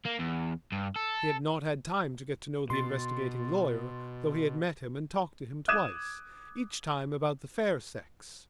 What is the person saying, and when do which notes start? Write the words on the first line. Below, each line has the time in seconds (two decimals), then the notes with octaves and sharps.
He had not had time to get to know the investigating lawyer, though he had met him and talked to him twice, each time about the fair sex.
0.06 A#3
0.19 E2
0.72 G2
0.96 A4
2.70 B2 C6 A6
5.68 D6 D#6 F#6 G#6 D#7 E7